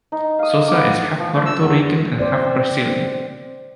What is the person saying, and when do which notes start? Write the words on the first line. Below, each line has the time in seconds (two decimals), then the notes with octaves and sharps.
Sosa is half Puerto Rican and half Brazilian.
0.12 D#4
0.39 F5 D#6
0.68 B3 D6
1.19 F3
1.34 A3
1.46 E6
1.59 E2
2.19 C4 C5 D5